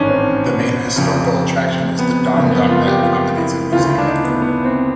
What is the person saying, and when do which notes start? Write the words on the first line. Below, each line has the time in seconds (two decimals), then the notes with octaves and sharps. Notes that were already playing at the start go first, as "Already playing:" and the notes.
The main historical attraction is the donjon that accommodates a museum.
Already playing: A1 G#2 D#3 C#4 D4
0.09 C4
0.96 F1 F2 C#3
1.65 C4
1.99 B3
2.33 F#1 F2 C#3 B3
2.51 B3
2.69 F4
2.86 G4
3.03 F4
3.37 E4
3.72 D2 C#3 E3 F4
3.90 E4
3.98 D4
4.07 D#4
4.24 B3
4.42 B3
4.65 C4